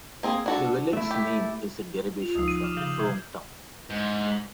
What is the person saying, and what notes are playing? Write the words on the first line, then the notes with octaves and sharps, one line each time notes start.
The village's name is a derivation from "Frome Town".
A#3 C4 G#4
D4 F#4 A4
A3 E4
G4
F4 F7
C#2 F3 D#4 D#6 E6 C7
D#7
D6 F6 E7
C#3 G6 F#7 G7
C3 E6 G6 G#6 C7
G#2